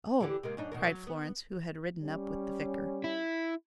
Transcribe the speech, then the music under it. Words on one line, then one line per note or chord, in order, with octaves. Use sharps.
"Oh!" cried Florence, who had ridden up with the vicar.
D3 E3 G4
C3 G#3 A#3
F#2 D4 D#4
B2 D#3 A#4
F#3
B3
G3 C#4
E4